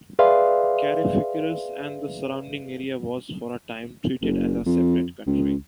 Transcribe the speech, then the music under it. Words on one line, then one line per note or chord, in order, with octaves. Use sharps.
Carrickfergus and the surrounding area was, for a time, treated as a separate county.
G#4 B4 D5 E5 F5 C6
F#1
F2
C#2